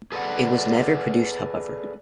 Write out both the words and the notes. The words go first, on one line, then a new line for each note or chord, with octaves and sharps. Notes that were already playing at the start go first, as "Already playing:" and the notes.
It was never produced however.
G#4 A4 B4 C#5 D5 F#5